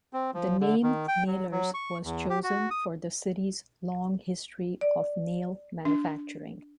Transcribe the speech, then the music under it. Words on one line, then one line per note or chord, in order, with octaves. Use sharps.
The name "Nailers" was chosen for the city's long history of nail manufacturing.
C4
F3
D3
D#3
G5
F#3
F#3
C#6
E2
G4
F#4
D#6
D5
D4